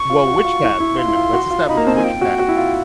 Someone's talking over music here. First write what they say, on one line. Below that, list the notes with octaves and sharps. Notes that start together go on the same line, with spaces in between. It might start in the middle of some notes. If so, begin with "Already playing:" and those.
Well, which path? Wait a minute, let's establish which path.
Already playing: C#6
F4
F#4
F4
E4
E4
F4 C6
E4
F4
F#4
F4
D#4 B5
A#3 A#5
C4 A5
G#5
F4 G5
F#4
F#4
E4
F4